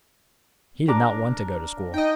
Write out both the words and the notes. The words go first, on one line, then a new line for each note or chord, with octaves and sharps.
He did not want to go to school.
D4 A#4 D6
D#4 D#5 G5